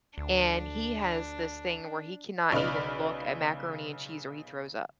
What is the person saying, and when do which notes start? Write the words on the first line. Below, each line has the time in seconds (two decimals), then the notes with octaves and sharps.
And he has this thing where he cannot even look at macaroni and cheese or he throws up.
0.18 D2 D4
2.52 B1 C#3 D#4 B4 D5 F6